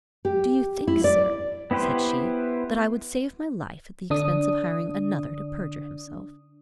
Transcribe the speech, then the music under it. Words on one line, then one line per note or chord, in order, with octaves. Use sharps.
"And do you think, sir," said she, "that I would save my life at the expense of hiring another to perjure himself?"
G4
E4
D5
B3 E4 G4 B4 C5
D3 D4 D#6